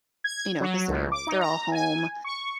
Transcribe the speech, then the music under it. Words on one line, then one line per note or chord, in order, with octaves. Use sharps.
you know, 'cause they're they're all home,
G#6
F#3
C#2
D6
D#4
A#5
G#5
C#6